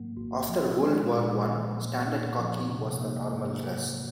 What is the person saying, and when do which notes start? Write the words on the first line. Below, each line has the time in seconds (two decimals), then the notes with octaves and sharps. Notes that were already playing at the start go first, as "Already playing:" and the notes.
After World War One standard khaki was the normal dress.
Already playing: G#2 F#3 A#3
0.17 G#1
0.49 F3
0.80 G#3
1.12 A#2
1.43 A#1
1.75 A#3
2.07 D#4
2.39 F3
2.70 C3
3.01 A#3
3.33 G#2
3.65 F#3